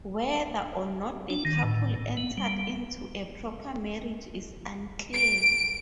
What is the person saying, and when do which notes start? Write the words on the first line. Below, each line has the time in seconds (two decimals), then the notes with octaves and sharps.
Whether or not the couple entered into a proper marriage is unclear.
1.30 D4
1.45 D#3
1.64 A2
2.17 B3
2.38 G3
5.13 D7